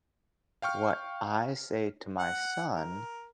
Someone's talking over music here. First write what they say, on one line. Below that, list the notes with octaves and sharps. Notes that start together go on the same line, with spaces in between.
What I say to my son
F5 G5 C#6 F6
F#5
A#4